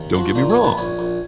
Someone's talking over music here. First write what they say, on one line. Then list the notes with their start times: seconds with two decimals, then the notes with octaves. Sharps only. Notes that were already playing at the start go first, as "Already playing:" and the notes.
don't get me wrong,
Already playing: D#2
0.14 F3 F#4
0.35 A#2 D#4
0.50 C#4
0.57 A#1
0.64 B3
0.78 A#1 C#4
0.99 A#1